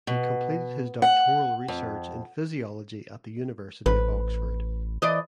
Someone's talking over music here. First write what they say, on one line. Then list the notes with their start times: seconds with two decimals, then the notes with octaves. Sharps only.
He completed his doctoral research in physiology at the University of Oxford.
0.07 B2
1.02 F#5
1.68 F2
3.86 A1 B4
5.02 E3 D5 D#5